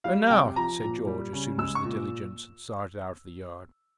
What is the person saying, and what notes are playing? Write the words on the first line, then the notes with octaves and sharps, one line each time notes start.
'And now,' said George, as soon as the diligence had started out of the yard.
G3 F5
C3 G5
F3 A#5
A#2
G3
C#3
G#3 E6
C#6
A#2